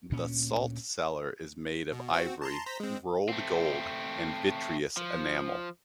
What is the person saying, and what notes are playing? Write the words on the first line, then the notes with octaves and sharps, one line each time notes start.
The salt cellar is made of ivory, rolled gold, and vitreous enamel.
D2 A#2 C#4
B2
C4 F#4
A5 A#5 C6
C5 A#5 B6
G#3 C4
A3 C4
F3